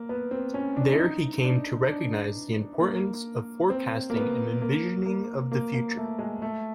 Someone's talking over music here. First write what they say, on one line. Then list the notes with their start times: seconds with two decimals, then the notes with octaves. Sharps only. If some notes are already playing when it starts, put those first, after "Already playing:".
There he came to recognize the importance of forecasting and envisioning of the future.
Already playing: A#3
0.09 B3
0.31 C4
0.54 C#4
0.77 D4
0.93 E4
0.99 D#4
1.44 D4
1.89 D4
2.80 A#3
3.70 C4
4.10 A#3
4.16 B3
4.62 A#3
5.06 A#3
5.52 A#3
5.74 A#3
5.97 A3
6.19 G#3
6.42 A3